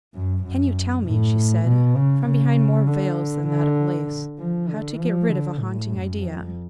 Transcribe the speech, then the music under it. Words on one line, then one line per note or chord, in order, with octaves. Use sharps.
"Can you tell me," she said, from behind more veils than that of lace, "how to get rid of a haunting idea?"
F#2
F#2
A2
B2
C#3
C#3
D3
D3
F3
D3
F3
D3
A2
F#2
F2